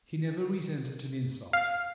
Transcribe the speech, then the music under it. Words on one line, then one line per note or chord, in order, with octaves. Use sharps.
He never resented an insult.
F5